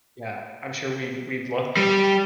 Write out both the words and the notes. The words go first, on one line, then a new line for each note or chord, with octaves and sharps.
Yeah, I'm sure we'd we'd look and,
G3